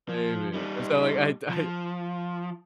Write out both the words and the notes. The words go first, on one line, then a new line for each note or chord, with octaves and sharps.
Maybe. And so like, I d I
F3
G3 D#4
F3